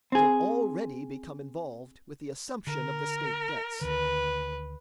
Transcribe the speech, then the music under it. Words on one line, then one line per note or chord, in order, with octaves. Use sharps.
It had already become involved with the assumption of the state debts.
C4 G#4
D3 A#4
D2 D3 D#3 B4